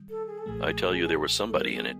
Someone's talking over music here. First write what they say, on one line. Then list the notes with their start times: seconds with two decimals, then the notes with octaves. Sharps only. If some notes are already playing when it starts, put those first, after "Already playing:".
I tell you there was somebody in it.
Already playing: D#3 G3
0.10 A4
0.27 G#4
0.38 A4
0.46 B1 A#2 F3 A3 G#4
1.49 A4
1.54 D#2 D#3 G3 B3 D#4 A#4
1.73 G#4